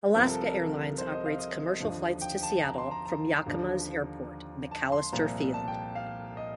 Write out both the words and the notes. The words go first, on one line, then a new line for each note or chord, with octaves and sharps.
Alaska Airlines operates commercial flights to Seattle from Yakima's airport, McAllister Field.
C2 C3 F3 A#4
A4
A#4
C5
D#5
F5
D#5
D#2 D3 F3
G5
A5
A#5
C6
A#5
A#5
D#2 D3 F3
A5
C6
C2 A#2 F3 A#5
A5
G5
F5
D#5